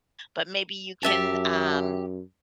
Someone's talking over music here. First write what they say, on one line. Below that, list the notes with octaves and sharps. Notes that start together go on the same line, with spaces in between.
but maybe you can, um
F#2 G4 E5 A5